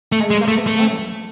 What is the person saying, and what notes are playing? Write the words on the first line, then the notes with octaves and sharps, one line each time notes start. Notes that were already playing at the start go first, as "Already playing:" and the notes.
"I was up this morning."
A3
G#3
A3
A3